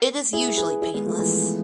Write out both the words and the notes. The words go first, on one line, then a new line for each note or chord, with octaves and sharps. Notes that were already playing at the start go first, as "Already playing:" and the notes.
It is usually painless.
E4 G#4
G#4 B4
E4 G#4
G#3 B3
F3 A3
E3 G#3